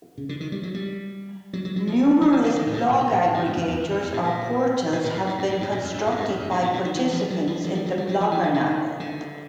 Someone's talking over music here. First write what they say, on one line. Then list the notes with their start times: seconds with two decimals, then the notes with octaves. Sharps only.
Numerous blog aggregators, or portals, have been constructed by participants in the Bloggernacle.
0.18 C#3
0.29 D3
0.40 D#3
0.52 G3
0.63 F#3
0.74 G3
1.53 F#3
1.65 F#3
1.76 F#3
1.87 F3
2.21 F3
2.32 E3
2.44 D3
2.56 D#3
2.66 A2
2.73 G2
2.78 G#2
2.89 A#2
3.01 B2
3.12 A#2
3.23 A2
3.34 G2
3.45 G#2
3.57 F#2
3.68 E2
3.80 F2
3.91 F2
4.02 E2
4.14 A2
4.24 A#2
4.93 B2
5.04 A#2
5.15 A2
5.27 G#2
5.38 G2
5.49 G2
5.61 G#2
5.72 A#2
5.83 F2
5.94 F#2
6.06 G2
6.12 G#2
6.17 G2
6.28 F#2
6.39 F#2
6.51 G2
6.62 G#2
6.73 A#2
6.85 D#3
6.96 E3
7.13 F3
7.30 F#3
7.47 F3
7.64 F#3
7.75 G3
7.86 F#3
7.98 G3
8.09 F#3
8.20 F3
8.32 E3
8.43 D#3
8.54 D#3
9.00 D3